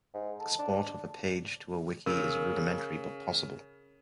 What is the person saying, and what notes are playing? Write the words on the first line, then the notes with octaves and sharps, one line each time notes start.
Export of a page to a wiki is rudimentary but possible.
G#2
A4
D4
C#3 A#4